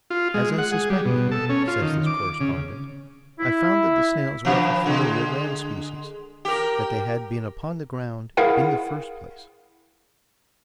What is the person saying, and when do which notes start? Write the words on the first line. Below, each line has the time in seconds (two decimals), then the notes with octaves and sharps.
"As I suspected," says this correspondent, "I found that the snails were of a familiar land-species"--that they had been upon the ground "in the first place."
0.10 F4
0.34 G#3
0.58 F#5
0.72 G#4
0.90 G3
1.05 B2
1.31 A4
1.50 C#4
1.68 F4
1.82 D#3
2.06 D6
2.40 C#3
3.39 E4
4.45 G2 C#3 F3
4.86 D3 G#3
6.45 G4 A#4
8.37 E4 G#4 A#4 F5 F#5